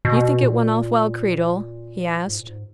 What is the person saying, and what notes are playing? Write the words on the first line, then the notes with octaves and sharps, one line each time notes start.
"Do you think it went off well, Creedle?" he asked.
B2
A#2
G#2
A#2
G#2